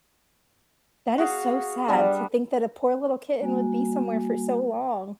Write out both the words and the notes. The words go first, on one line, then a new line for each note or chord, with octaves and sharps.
That is so sad to think that a poor little kitten would be somewhere for so long.
F#4 G#4 F5 F#5
G3 B3 D4
G3 A#3 F#4 G#5